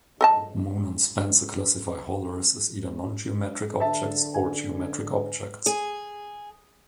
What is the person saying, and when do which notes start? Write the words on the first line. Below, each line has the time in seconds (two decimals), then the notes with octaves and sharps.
Moon and Spencer classify holors as either nongeometric objects or geometric objects.
0.21 A4 D#5 A5
3.80 D3 E5 A5
4.34 G#5
5.66 G#4